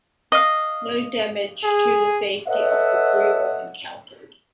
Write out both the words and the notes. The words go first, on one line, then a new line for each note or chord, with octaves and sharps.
No damage to the safety of the crew was encountered.
D#5 F5
G#4
A4 B4 C#5 D#5 E5 F#5